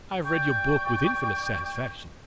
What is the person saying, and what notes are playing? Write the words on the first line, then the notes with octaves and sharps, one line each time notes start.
I have read your book with infinite satisfaction.
D5 G5 C#6 G6